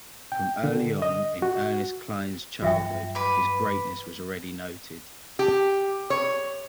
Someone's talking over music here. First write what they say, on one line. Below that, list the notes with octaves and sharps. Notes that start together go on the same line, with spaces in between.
From early on in Ernest Klein's childhood, his greatness was already noted.
G5
D3
D#5
F#4
G2 E3 F#3 F4 E5 G5
B4 D6
G4
C#5